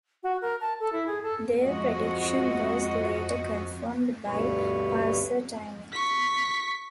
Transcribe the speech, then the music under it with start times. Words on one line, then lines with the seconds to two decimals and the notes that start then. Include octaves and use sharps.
Their prediction was later confirmed by pulsar timing.
0.23 F#4
0.42 A#4
0.61 A5
0.80 A4
0.93 E4
1.07 G#4
1.23 A4
1.62 F2 G#3 F#4 D#5
4.27 D2 G2 B2 B4 C#5
5.92 C#6 B6